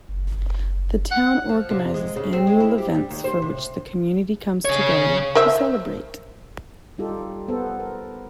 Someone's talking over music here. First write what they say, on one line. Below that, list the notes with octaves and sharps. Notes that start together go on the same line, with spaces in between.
The town organises annual events for which the community comes together to celebrate.
F#1
F#1
F#5
F3
C3
G#3
C#3
C4
G#3
E4
G4
G3
D#2
C5
C3
C#3 C#5
A#4 C5 E5
G3 D#4 F4 G4 A4
B3 A4 C5
A#4